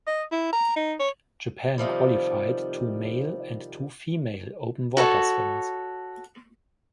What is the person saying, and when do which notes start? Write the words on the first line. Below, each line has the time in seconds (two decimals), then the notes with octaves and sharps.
Japan qualified two male and two female open water swimmers.
0.07 D#5
0.32 E4
0.53 A#5
0.76 D#4
1.00 C#5
1.78 C3 D#3 F3 G3
4.97 F#4 A4 B4 C#5